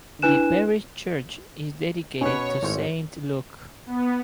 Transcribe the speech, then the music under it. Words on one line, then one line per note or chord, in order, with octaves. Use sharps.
The parish church is dedicated to Saint Luke.
D4 E4 B4 G#5 F#6 E7
D#2 B2 C#4 B4 C#5
G#1 A2 C5 C#7
B3